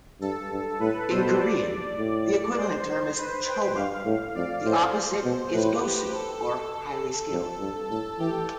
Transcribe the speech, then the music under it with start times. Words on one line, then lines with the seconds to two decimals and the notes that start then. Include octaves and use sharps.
In Korean, the equivalent term is "Chobo"; the opposite is Gosu, or "highly skilled".
0.21 G2 A4
0.51 G2
0.80 A2 B4
1.10 B2 C5
1.40 D5
1.99 A2
2.57 C5
3.17 B4
3.47 G5
3.76 G2 F5
4.06 A2
4.35 F2 D5
4.65 A2 C5
5.25 B2
5.53 A2 B4
5.83 G4
6.13 A4
6.42 A4
7.31 F2
7.60 G2
7.90 A2 A4
8.19 E3 G4